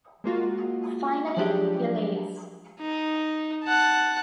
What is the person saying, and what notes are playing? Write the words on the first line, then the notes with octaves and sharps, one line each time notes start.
Finally he leaves.
G#3 A#3 F4 F#4
F3 F#3 G#3 D4 G4
D#4
F#5 A5